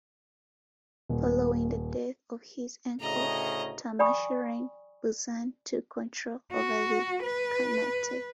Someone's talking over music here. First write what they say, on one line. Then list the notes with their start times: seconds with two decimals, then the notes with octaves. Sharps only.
Following the death of his uncle Tarmashirin, Buzan took control of the khanate.
1.09 D#1
3.00 D2 A2 C#3 D#5 A#5
3.99 D5 G5 G#5 B5 C#6 D#6
6.52 F#4
7.23 B4